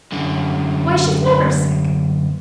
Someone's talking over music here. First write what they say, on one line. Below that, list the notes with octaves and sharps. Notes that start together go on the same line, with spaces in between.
Why, she's never sick!
F#2 D3